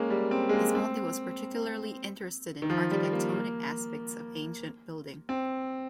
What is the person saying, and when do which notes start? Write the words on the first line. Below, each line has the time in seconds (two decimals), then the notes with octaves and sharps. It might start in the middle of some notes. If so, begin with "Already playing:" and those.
Gismondi was particularly interested in architectonic aspects of ancient building.
Already playing: G#3 A#3 C#4
0.10 G3
0.31 C4
0.49 G#3
0.53 A#3
0.75 C4
2.62 D#3
2.70 F3
2.91 G3
3.13 A#3
3.34 A#3
5.29 C4